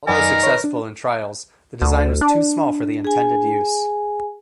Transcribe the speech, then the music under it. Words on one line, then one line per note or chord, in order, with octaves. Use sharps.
Although successful in trials the design was too small for the intended use.
F#2 D#3 B3 A#4 D5 G#5
B4 C#5
D4
D2
D4
G#4 G#5